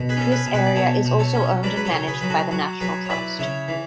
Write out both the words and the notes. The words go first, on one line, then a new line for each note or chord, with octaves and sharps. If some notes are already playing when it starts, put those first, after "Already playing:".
This area is also owned and managed by the National Trust.
Already playing: B2
G#4 B4
C#4 A4
G#4 B4
B2
G#4 B4
D5
B2 A4 C#5
B2
A4 C#5
C#4
F#3 B4 D5
B4
A4 C#5
C#3
G#4 B4
F#3 B4
F#4 A4
F#3 F#4
F#3 G#4 B4
C#5
E4 B4 D5
C#3 C#5 E5
E3